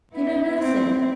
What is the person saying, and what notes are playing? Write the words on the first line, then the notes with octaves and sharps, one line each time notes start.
"You know nothing."
B3 E4
C4